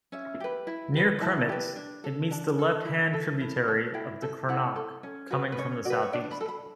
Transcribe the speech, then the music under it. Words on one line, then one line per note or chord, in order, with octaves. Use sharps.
Near Kremitz it meets the left-hand tributary of the "Kronach" coming from the southeast.
C#4 E5
G4 B4
E4
G4 B4
E4 A5
G4 B4
D4
A4
D4 A5
A4
E4
A4
E4
A4
E4 G5
A4
E4 F#5
A4
C#4
F#4 B4
B4
C#4 C#5
F#4 B4 D5
C#5
D4 D5
B5
A4
B5